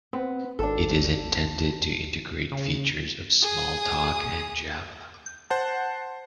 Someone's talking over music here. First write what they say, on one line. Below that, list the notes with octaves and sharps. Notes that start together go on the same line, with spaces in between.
It is intended to integrate features of Smalltalk and Java.
B3 C4
G#1 D4 A4
C#3
G#4 D#6
C5 F#5 A5